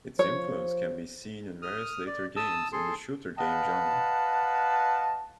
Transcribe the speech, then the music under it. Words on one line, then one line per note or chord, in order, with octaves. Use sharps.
Its influence can be seen in various later games in the shooter game genre.
F3 C5 C#5
D#6 F6
D5
A5 D#6 E6
G#4 A4 C6
B4 D#5 F5 F#5 A5